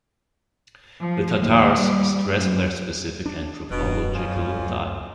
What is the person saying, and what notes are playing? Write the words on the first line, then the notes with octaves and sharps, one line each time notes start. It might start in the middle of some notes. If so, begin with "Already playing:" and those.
The Tatars stress their specific anthropological type.
F3
D#2
G3
F#2
D4
D#1 B2
F#2
F2 C#4 F4
E2 G#3
D2 C#3